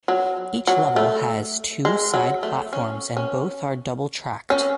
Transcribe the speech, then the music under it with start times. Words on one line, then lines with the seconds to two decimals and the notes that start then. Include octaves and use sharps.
Each level has two side platforms and both are double tracked.
0.08 F#3
0.67 F#3
0.96 A3
1.85 G#3
2.14 F#3
2.43 A3
2.73 C#4
3.17 C#4
4.50 C#4